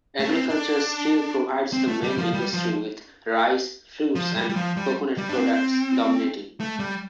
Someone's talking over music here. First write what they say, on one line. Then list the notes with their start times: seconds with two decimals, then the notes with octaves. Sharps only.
Agriculture still provides the main industry with rice, fruits, and coconut products dominating.
0.20 A3
0.30 C4
0.50 D4
1.73 C4
1.88 A3
2.03 G3
2.18 F3
2.34 G3
2.53 F3
4.15 F3
4.36 G3
4.50 G3
4.56 F3
4.77 G3
5.18 G3
5.29 D4
5.37 C4
6.60 A3
6.79 G3